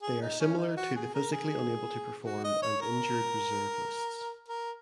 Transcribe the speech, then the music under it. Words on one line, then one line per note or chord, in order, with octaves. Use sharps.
They are similar to the physically unable to perform and injured reserve lists.
G#4
D#4
C#4
D#4
F#4
G#4
A#4
G#4
F#4
D#5
C#5
A#4
A#4